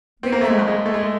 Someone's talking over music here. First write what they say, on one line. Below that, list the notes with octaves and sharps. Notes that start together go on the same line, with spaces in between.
Bring them up.
C4
A#3
A3
G#3
G#3
A3
G#3
A3